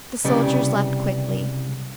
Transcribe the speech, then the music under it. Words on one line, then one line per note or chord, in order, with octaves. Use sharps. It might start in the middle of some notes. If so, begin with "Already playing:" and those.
The soldiers left quickly.
C2 C#3 G3 B3 D5